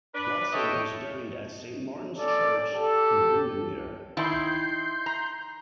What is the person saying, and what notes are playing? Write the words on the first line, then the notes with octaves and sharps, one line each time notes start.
Watson was buried at Saint Martin's Church in Windermere.
D4 B4
A4 C#5 D#5 E5 G5 A5
C#4 A4 D5
G4 A4
D#3 D#4 E4 E5 B5 C6 G6 C7
A#5